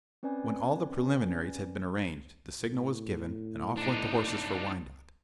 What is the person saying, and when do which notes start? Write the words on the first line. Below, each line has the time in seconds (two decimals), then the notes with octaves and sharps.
When all the preliminaries had been arranged, the signal was given, and off went the horses for Wyandotte.
0.23 C4 C#4 B4 D5 G#5
2.60 A2
3.78 D4 D#4